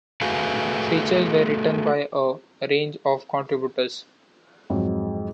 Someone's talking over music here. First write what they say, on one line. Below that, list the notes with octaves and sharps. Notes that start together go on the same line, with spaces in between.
Features were written by a range of contributors.
A3 F#4 G#4 B4 F5
F2 G#2 F#3